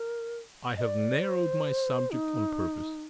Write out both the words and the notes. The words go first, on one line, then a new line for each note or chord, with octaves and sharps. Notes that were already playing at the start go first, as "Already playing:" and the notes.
I have narrowed my subject on purpose.
Already playing: A#4
D#5
D5
C5
D#4